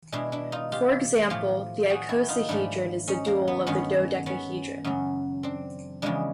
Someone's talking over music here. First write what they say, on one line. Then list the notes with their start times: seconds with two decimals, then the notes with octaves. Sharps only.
For example, the icosahedron is the dual of the dodecahedron.
0.12 B2 G#3 D4 E4
0.32 D4 E4
0.52 D#4 F4
0.72 F4 G4
1.30 A2 F3 A3 F4 G4
1.90 F#4 G#4
2.09 E4 F#4
2.29 D#4 F4
2.49 G#2 F3 A3 D4 E4
3.08 C#4 D#4
3.27 A#3
3.48 B3
3.67 G2 D#3 G#3 B3 C#4
4.26 B3 C#4
4.84 F#2 C#3 F#3
5.43 C4 D4
6.02 E2 C#3 F3 G#3 D4 E4